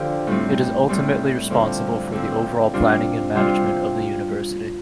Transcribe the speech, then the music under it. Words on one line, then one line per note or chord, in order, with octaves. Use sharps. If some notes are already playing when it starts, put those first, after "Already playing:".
It is ultimately responsible for the overall planning and management of the university.
Already playing: D3 F3 D4 G4
A2 G3 C4
A2 G3 C4
D3 F3 C4 A4
D3 F3 C4 A4
C3 G3 D4 F4
C3 G3 D4 F4